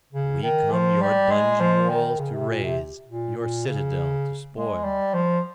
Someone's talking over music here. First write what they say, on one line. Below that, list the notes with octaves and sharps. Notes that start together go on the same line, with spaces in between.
We come your dungeon walls to raze, your citadel to spoil!
C#3
D#3
F3
G3
G#3
F3
D#3
C#3
C3
A#2
C3
A#2
A#2
C#3
G#3
G3
F3